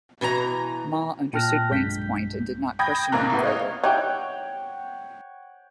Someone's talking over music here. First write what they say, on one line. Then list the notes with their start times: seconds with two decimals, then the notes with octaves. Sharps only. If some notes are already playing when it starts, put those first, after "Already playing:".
Ma understood Wang's point and did not question him further.
0.21 B2 E3 G#5 A#5
1.33 A#2 G5 A5 F6 F#6 A#6
1.70 B1 G2 G#3 G6 B6
2.79 G5 B5 D#6 G6 G#6 A#6
3.12 A#1 G#2 A#3 A#5 F#6
3.30 A2 C3 B3
3.44 C#5 D#5 F5
3.84 D#4 E4 G4 C#5 F#5 G5